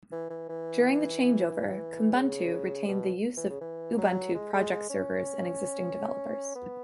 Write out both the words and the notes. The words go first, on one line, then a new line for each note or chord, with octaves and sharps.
During the changeover, Kubuntu retained the use of Ubuntu project servers and existing developers.
E3
E3
E3
C#3
B2
E3
C#3
E3
F#3
G#3
G#3
G#3
C#4
B3